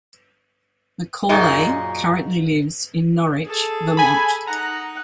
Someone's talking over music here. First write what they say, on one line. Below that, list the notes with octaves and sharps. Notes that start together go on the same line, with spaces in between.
Macaulay currently lives in Norwich, Vermont.
F#2 A#2 G#3 D#4
G#4 A4
G#5 B5
D#4 F#5 A#5